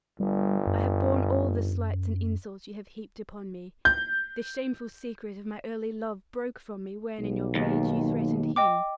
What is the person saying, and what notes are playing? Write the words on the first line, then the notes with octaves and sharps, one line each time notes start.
I have borne all the slights and insults you have heaped upon me. The shameful secret of my early love broke from me when in your rage, you threatened him.
G1 G3
F#2
G6
B1
D#2
D#5 G5 D6